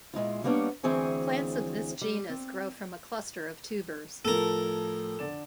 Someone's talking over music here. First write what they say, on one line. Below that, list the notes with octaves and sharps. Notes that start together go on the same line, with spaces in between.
Plants of this genus grow from a cluster of tubers.
A#2 G#3 E4 F4
G3 A#3 B3 C#4 D4
D2 E3 C4 G#4 C#5 G#5
G3
C4
A2 F3 A4 A#4
D3 D5 E7